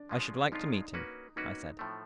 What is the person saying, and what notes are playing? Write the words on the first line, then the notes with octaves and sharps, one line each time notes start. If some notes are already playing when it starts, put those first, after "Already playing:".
"I should like to meet him," I said.
Already playing: D4
F3 G#3 C#4 F4
F3 G#3 C#4 D#4 F4
A#3 C#4 F#4 B4
A#3 C#4 D#4 F#4 B4
A2 F3 A3